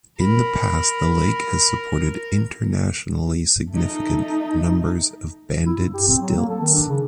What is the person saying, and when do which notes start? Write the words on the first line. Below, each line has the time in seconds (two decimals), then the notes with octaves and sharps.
In the past the lake has supported internationally significant numbers of banded stilts.
0.20 A#4 B5
3.71 A3 D#4
5.66 E4
5.77 G2
5.94 G4
6.08 C4
6.21 F#3
6.37 A#3
6.49 A4
6.61 D#3
6.74 D4
6.89 C#3